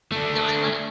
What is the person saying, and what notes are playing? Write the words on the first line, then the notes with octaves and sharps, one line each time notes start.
No, I li
A3 D4